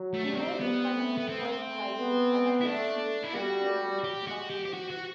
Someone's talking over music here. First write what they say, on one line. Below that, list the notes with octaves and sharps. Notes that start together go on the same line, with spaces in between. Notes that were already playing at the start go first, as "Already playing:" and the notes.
Kepesh is finally destroyed by his inability to comprehend emotional commitment.
Already playing: F#3
A3
G3
D4
C4
G3 B3
A3
B3
A3 C4
B3
E4
A3 D4
E4
G3 F#4
G4
F#4
G4
G4
F#4
F#4